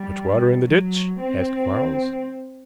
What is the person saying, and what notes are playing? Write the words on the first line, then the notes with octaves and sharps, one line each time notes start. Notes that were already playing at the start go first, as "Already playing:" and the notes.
"Much water in the ditch?" asked Quarles.
Already playing: G3
F#3
C4